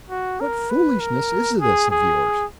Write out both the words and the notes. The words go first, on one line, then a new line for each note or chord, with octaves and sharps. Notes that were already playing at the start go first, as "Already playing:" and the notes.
"What foolishness is this of yours?"
F#4
A#4
B4
A#4
G#4
G#4